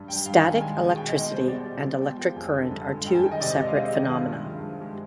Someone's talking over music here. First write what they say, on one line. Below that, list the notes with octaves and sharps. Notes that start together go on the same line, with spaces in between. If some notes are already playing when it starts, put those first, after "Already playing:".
Static electricity and electric current are two separate phenomena.
Already playing: G2
G3 G5
G2 F5
D#3 G#5
G#3 G#5
B2
B2 G5
D#5
G#3
G3 C5
B2 D5
B2
G3
G#3 G5
F3 G5
F2 G#5
D3
G2
G#3
G2 G5
G#5
D#3 G5
D#5
C3 D5
D#5
G#3
F5
C3 D#5
D#3
G2 F4
G#3
G2
F3
G#3 G4